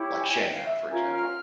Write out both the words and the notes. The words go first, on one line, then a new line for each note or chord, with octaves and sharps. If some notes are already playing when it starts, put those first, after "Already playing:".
like Shanghai, for example.
Already playing: E4 G4 C#5
G#5
G#5
G5
F5
E5
C#4 F4 A#4 G#5
F6